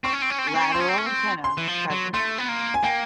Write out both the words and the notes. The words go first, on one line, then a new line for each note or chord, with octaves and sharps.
Lateral antennae present.
C4 C#6
C#4
C4
C#4
C4
C#4
C4
C#4
C4 C6
C#4
C4
C#4
C4
C6
E3
F3
F#3
A3 C6
B3
A#3
G#5
A#3 G5